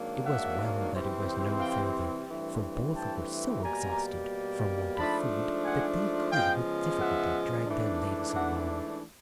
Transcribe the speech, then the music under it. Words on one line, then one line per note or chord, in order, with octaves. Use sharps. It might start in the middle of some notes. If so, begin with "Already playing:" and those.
It was well that it was no further, for both were so exhausted from want of food that they could with difficulty drag their legs along.
Already playing: G#2 D#3 F#3 A#3 D4
E5 F#5
C3 E3 G3 C4
F5 G5
G2 E3 A3 C4
G5 A5
B2 G3 A#3 G#5 A#5
G#2 F3 A3 D4 A5 B5
F#5 G#5
C#3 F3 G#3 B3 F5 G5
E5 F#5
G#2 E3 A3 D4
E5 F#5